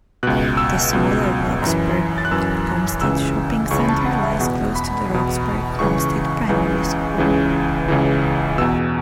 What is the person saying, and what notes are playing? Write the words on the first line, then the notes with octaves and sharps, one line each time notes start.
The smaller Roxburgh Homestead Shopping Centre lies close to the Roxburgh Homestead Primary School.
C#2 B2 F#6
E6
C#2 B2
F#2 E3
A6
F#6
F#2 E3 E6
C#2 C#3 E3 E6
C#2 C#3 E3 C#6
B5
A5
F#5
E5
E2 B2 F#5
B5
E2 B2
C#2 C#3 E3 C#6
C#2 C#3 E3
C#2 C#3 E3
C#2 C#3 E3
E2 B2 E6